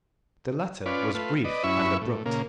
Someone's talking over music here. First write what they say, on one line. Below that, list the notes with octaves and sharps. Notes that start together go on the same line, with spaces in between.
THE letter was brief and abrupt.
C#4 F4 B4 D5
A3 F4 B4
B4 D5 D#5
F#2 C#4 E4 E5 B5 C#6
A2
A#2 C#3 A#3